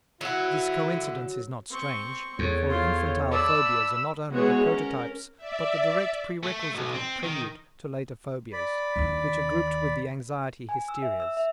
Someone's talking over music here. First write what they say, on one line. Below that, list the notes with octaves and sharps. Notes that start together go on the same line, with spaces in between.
This coincidence is not strange, for infantile phobias are not only the prototypes but the direct prerequisite and prelude to later phobias, which are grouped with the anxiety hysterias.
D3 F#3 E4 F#4 F#5
C4 C#6
E2 A4 C#5
F4 C5
D5 A5 B5 E6
E3 G#3 B3 F#4 G#4 C#5
C#4 A#4
D5 E5
A3
A3
B1
C4
D#3
D5 B5
D#2 D4
G#5
E6
E5
E6
E5